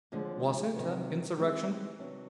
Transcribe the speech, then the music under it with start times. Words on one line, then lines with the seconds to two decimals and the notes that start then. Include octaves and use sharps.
Was it an insurrection?
0.12 D#2 D3 F3 G#3
0.74 C3 D#3 F#3 B3
1.37 E3 G#3 C4 D#4 G4
1.99 C3 D#3 F#3 B3 D4